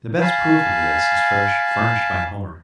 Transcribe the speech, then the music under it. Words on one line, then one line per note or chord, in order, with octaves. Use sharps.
The best proof of this is furnished by Homer.
F5 G#5 A5 B5